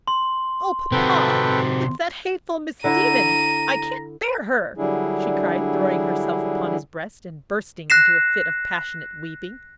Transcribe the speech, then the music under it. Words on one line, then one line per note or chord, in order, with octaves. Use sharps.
"Oh, papa, it's that hateful Miss Stevens; I can't bear her!" she cried, throwing herself upon his breast, and bursting into a fit of passionate weeping.
C6
C3 C4 D#4 F#4 A4 B4 G5
D3 E4 A#5 D#7
D3 F#3 G3 D4 E4 G#4
F#6 A#6 C7 E7